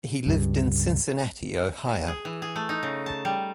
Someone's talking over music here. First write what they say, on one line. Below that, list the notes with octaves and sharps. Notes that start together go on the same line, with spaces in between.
He lived in Cincinnati, Ohio.
C#2 G2
G#4
E3
G#4
A3
D#4
C#3
A5
G3